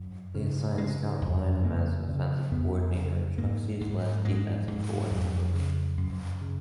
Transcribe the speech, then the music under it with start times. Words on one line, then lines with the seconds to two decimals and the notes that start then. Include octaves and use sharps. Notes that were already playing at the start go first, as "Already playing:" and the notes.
They assign Scott Linehan as offensive coordinator and Chuck Cecil as defensive coordinator.
Already playing: F#2
0.35 C#3
0.78 C#3 G#3
1.22 F2
1.64 C#3 A#3
2.07 C#3
2.51 F2 B3
2.95 C#3
3.38 G#2 A#3
3.81 G#2
4.25 G#2 G#3
4.68 G#2
5.11 F2 F#3
5.54 C#3
5.97 F#2
6.41 C#3